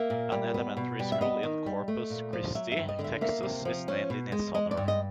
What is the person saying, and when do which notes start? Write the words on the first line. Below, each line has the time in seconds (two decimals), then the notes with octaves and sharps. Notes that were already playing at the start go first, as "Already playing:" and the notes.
An elementary school in Corpus Christi, Texas is named in his honor.
Already playing: A#3 E5
0.10 A#2
0.32 G3
0.54 B3
0.77 B2
0.99 G3
1.12 E5
1.21 B3 D#5
1.43 D#3
1.66 G3
1.88 A3
2.10 A#2
2.33 F3
2.55 F#3 E5
2.72 E5
2.77 G2
2.89 D#5
2.99 D3
3.04 E5
3.21 A#3 E5
3.43 C3
3.65 F3
3.88 C#4
4.10 B2
4.32 G#3
4.55 G#3 D#5
4.71 D5
4.77 G2
4.88 D#5